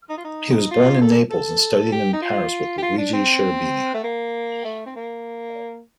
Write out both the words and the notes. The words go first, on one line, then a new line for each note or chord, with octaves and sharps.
He was born in Naples and studied in Paris with Luigi Cherubini.
D#4
F4
D#4
F4
A4
A4
G4
D#4
F4
G4
F4
D4
C4
A3
A#3
A3
C4
A#3